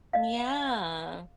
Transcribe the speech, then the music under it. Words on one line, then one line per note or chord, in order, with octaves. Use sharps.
N yeah.
D#5 F5